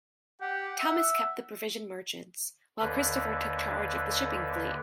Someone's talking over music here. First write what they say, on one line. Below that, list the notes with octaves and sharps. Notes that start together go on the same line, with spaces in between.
Thomas kept the provision merchants, while Christopher took charge of the shipping fleet.
G4 F#5
E5
D#2 D3 B4